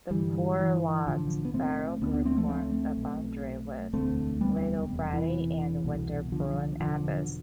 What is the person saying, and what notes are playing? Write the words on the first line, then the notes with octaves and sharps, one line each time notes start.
The Poor Lot barrow group forms a boundary with Littlebredy and Winterbourne Abbas.
G1 G2 D3 E3 G3
E3
B1 A2 D3 F3
B3
A3 C4
D2 D3 B3 D4
B3 D4
A3 C4
F3 A3
A3 C4
B1 B2
E1 D2 D3 A3 C4
G3 B3
E1 E2 C3
E3
C2 B2
D3 F3
E1 E2 B2 D3 F3